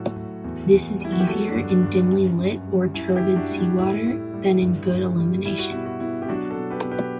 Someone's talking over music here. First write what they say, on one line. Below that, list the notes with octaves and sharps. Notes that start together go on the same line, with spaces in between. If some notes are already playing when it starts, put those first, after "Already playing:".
This is easier in dimly-lit or turbid seawater than in good illumination.
Already playing: A2 F#3 F#4 A4
A2
E2
E2
G3 E4
F#4
G4
F#3 F#4 A4
D4 F#4
G2
D4
G2
F#2
F#2
G3
F#2 E4
E4 G4
F#2
D4 F#4
G3
E4
A2 E4
A2
G3
G2
G2
G3
G3 E4
F#4
B2 E4
F#4
B2 E4
G4
F#3 D4 F#4
F#4 A4
B2
G4 B4
B2
G4 B4